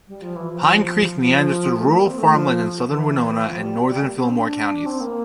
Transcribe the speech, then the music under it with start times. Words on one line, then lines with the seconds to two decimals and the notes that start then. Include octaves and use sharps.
Pine Creek meanders through rural farmland in southern Winona and northern Filmore Counties.
0.08 G3
0.22 F3
0.36 E3
0.50 F3
1.20 F3
1.76 A3
1.91 A#3
2.05 C4
2.18 A3
2.33 F3
2.90 E3
3.45 F3
3.60 G3
4.02 A#3
4.16 C4
4.30 D4
4.86 C4
5.01 A#3